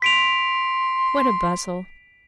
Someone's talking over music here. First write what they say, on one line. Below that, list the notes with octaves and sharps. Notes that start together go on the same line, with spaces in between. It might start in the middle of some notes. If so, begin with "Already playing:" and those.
What a bustle!
C6 B6 D7 F7